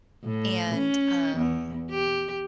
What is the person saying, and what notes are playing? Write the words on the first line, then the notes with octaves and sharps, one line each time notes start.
and, um,
A2
C#4
E2
G4